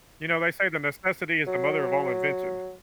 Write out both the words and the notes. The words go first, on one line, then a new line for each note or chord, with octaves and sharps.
You know, they say that necessity is the mother of all invention.
F#3